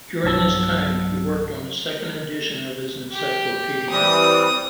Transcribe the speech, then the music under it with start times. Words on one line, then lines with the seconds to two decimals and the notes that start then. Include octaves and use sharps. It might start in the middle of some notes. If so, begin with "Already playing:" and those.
During this time, he worked on a second edition of his encyclopedia.
0.24 B1 G2 F#3 A5 E6
3.12 G4
3.90 E3 G3 C4 D#6